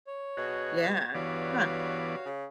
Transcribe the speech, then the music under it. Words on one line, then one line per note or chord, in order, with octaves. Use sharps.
Yeah. Huh.
C#5
B2 F#4 G#4
G2 E3 B3 F#4 C#5 D5 F5
C#3